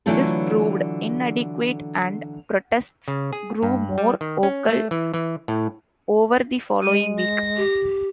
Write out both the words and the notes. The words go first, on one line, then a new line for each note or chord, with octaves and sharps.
This proved inadequate and protests grew more vocal over the following week.
D3 E3 F#3 A3 F4 A4
C#3
G#4
G2
G3
D#3
C#4
A3
E3
E3
A2
G#3 D#7
A#6
G4